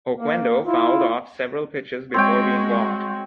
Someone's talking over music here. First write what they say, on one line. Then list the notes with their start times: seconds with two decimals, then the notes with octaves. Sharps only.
Oquendo fouled off several pitches before being walked.
0.18 A#3
0.64 E4 F4
2.14 G#3 C4 F#4 C#5 G5